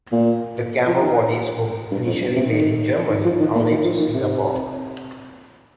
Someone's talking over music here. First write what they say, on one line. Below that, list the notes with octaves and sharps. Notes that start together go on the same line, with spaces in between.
The camera bodies were initially made in Germany, and later, Singapore.
A#2
F3
D#3
G2
F2
G2
C3
D#3
D#3
F3
D#3
A#2
D#3
F3
D#3
C3